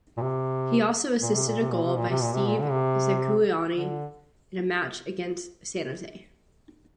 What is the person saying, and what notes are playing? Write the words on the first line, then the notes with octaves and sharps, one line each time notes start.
He also assisted a goal by Steve Zakuani in a match against San Jose.
A#2
C3
A#2
C3
A#2
C3
A#2
C3
A#2
C3
A#2
C3
A#2
D3
C3
D3